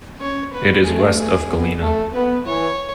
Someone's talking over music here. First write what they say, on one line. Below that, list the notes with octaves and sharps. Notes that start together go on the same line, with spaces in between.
It is west of Galena.
C#4 C#5
B3 B4
A3 G#4
G#4
B3
A3 A4
B3 B4
E3 C#5